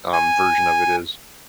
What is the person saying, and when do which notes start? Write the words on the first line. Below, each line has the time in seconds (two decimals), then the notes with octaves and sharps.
um, version of it is.
0.13 G#5